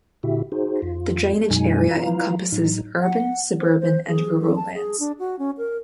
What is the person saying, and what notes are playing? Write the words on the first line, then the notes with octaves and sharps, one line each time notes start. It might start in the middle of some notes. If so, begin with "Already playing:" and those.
The drainage area encompasses urban, suburban and rural lands.
A#2 D3 E4 F#4 G4 E5
D#4 F#4 G#4 C5
F2 F4
F#2 B2 F#3 G#3 D#4 G#5
E4 F4 B4 F5 A#5
A2 F#3 D#4
F#5
C5
C5
G#4
A4
A5
G#4
D4
F#4
C#4
A#4